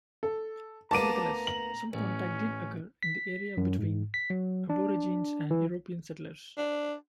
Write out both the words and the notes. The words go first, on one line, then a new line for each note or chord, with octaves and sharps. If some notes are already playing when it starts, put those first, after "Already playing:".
Nevertheless, some contact did occur in the area between Aborigines and European settlers.
A4
D2 A#3 B3 A5 A#5 D6 D#7
F#7
A1 C#4
B6
F#2
G#2
B6
F#3
D4
E3
D4